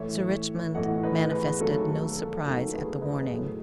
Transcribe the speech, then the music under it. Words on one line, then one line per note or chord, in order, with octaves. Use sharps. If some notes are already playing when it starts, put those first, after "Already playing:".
Sir Richmond manifested no surprise at the warning.
Already playing: A2 E3 A3 C#5 E5
A2 E3 A3 D#5 F#5
B4 D#5
G#4 B4
D#2 D#3 F#3 A3 A4
A4
A4
D#2 D#3 F#3 A3 A4
G#4 B4
B4 D#5
A2 F#3 A3 G#4